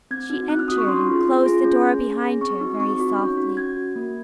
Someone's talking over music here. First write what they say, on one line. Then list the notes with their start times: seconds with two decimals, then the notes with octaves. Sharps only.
She entered, and closed the door behind her very softly.
0.11 C4 G#6
0.30 D#4 F#4
0.49 C4 F#6
0.59 F6
0.68 D#4 F#4 D#6
0.78 C#6
0.87 C#4 C6
1.07 F4 G#4
1.26 C#4
1.45 F4 G#4
1.64 C#4
1.84 G#4
2.02 C#4
2.22 G#4
2.41 C4 C#6
2.61 D#4 F#4
2.80 C4 C#6
2.99 D#4 F#4
3.18 C#4
3.37 F#4
3.57 C#4 G#6
3.76 F#4
3.96 A#3